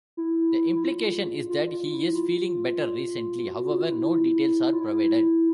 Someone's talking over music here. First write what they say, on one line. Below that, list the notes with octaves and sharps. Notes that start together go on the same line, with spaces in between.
The implication is that he is feeling better recently; however, no details are provided.
E4
E4
F4
F4
F4
E4
F4
F#4
F4
E4
F4
E4